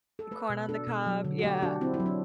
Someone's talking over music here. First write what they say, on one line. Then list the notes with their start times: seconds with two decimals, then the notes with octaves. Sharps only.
The corn on the cob, yeah.
0.19 A4
0.31 A3 B4
0.49 B2
0.69 D4 A4
0.87 B2
1.06 F#3
1.24 D3
1.39 F#4
1.44 A3 G4
1.62 D4 F#4
1.81 C4 E4
1.94 E4
2.00 F#3
2.06 D4